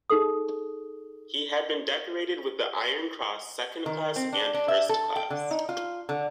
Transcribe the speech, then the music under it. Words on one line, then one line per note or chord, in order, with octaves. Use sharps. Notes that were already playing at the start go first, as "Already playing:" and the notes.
He had been decorated with the Iron Cross Second Class and First Class.
D#4 G#4 A4 D#6
D#3
C4
D4
D4
E5
A4
G5
D3
D#4
F4
D3